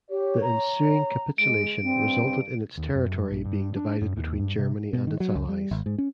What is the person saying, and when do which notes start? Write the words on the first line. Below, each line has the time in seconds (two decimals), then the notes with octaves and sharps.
The ensuing capitulation resulted in its territory being divided between Germany and its allies.
0.11 G4 C#5
0.42 A#5
1.38 G#3 D7
1.83 G2 C4
2.78 D#2
2.95 F#2
3.30 A#1
3.45 G2
3.76 D4
4.01 F#2
4.17 D#2
4.39 G2
4.59 C3
4.93 B2
5.07 D#3
5.20 F#3
5.35 C#2
5.49 G3
5.71 G#1
5.86 G#2
5.98 C#4